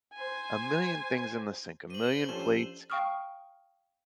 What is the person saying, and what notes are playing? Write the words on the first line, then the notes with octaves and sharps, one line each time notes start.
a million things in the sink a million plates,
C5 G#5
C5 C6 D#7 F#7
F3 C#4 D4 G4 A4 E7
F5 G5 C#6 D#6 F6